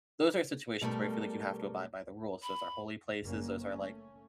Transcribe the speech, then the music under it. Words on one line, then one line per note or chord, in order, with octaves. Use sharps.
Those are situations where I feel like you have to abide by the rules. Those are holy places. Those are, like,
B2 G3 A3 A#4
B5
F#1 F#2 G3 A#3 C#4
A3 C#4